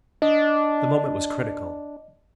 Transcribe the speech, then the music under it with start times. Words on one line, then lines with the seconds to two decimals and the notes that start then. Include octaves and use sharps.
The moment was critical.
0.22 D4 D#5